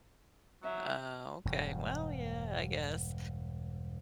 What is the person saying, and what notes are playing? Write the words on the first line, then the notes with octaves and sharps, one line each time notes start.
Ah, okay. Well, yeah, I guess.
F#3 E5
E1 G2